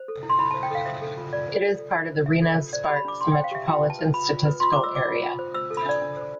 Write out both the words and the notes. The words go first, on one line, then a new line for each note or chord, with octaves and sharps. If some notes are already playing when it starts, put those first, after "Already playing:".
It is part of the Reno-Sparks Metropolitan Statistical Area.
Already playing: C5
A4
E4
C6
E4 B5
A5
C5
G5
A4 F5
C5 E5
A4
F4
F4 D5
C5
A4
A4
F4
C5
D4 E5
A4
F4
C5 D5
B5
G4
B5
D4 D6
D4 C6
G5
C5
F5
G4 E5
F4 G5
B4
A5
B4
F4 B5
F4
B4
F4 C6
D6
C5
E6
C5 D6
F4
F4
C5
C5 E6
A4
B5
D4 D5
D4
C5